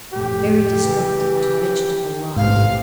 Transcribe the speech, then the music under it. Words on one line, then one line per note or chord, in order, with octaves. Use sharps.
Very destructive to vegetable life.
F1 A2 G4
C#3 E3
A1 G#2 C3 F5